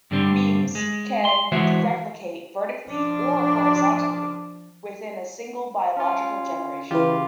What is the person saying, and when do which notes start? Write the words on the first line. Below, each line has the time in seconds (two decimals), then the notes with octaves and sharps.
Memes can replicate vertically or horizontally within a single biological generation.
0.11 G2 D3 G3 C4
0.75 G#3
1.25 C6
1.52 E3 G#3 F#4 C5 C#5 E5
2.90 F3 D4
5.97 C#4 F4
6.91 C#3 E3 E4 F4 G4 B4